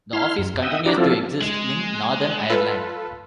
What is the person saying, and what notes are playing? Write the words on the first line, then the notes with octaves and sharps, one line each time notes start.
The office continues to exist in Northern Ireland.
E4 C6 F6
F#2
D#5 E5 F#5 G5 D#6 E6
D4 E4 F#4 G4 D5 A#5
F3 C4 E4 F4 A4
G#3
F4 A4 B4